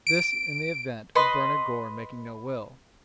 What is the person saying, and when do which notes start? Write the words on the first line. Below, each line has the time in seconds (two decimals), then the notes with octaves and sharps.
This in the event of Bernard Gore making no will.
0.07 D7
1.15 B4 D#5 C6